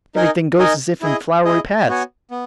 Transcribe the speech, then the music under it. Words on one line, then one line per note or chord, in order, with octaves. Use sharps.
"Everything goes as if in flowery paths."
D#4 A#4 D#5 G#5
D#4 A#4 D#5 G#5
E4 G#4 D#5
E4 G#4 D#5
B3 F#4 C#5 G#5
B3